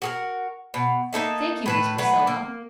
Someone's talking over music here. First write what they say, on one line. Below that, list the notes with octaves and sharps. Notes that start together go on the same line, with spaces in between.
"Thank you, Miss Priscilla."
F#4 G#4 A#4
B2
A#3 D#4 A4 E5
A2 B4 A5
F#3 A3 B4
A#3